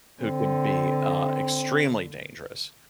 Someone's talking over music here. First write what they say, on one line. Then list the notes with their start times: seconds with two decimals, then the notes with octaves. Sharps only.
who can be, uh, extremely dangerous,
0.22 D3 C4